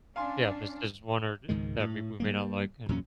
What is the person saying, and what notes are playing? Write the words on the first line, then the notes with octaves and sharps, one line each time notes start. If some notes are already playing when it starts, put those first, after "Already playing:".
Yeah, there's, there's one or that or we we may not like and,
C#4 D4 F5 G#5 C6
C#2 G#2 D#3 G#3
A2
G3 G#3 A#3
E2 A#2 F#3 C#4